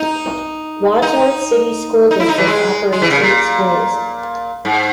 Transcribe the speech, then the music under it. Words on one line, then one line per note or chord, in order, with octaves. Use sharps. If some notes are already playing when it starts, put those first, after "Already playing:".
Wadsworth City School district operates eight schools.
Already playing: D#4
D#4
D#4
E4
D#4
E3
G#3
G#3
E3
C#3
A#2
G#2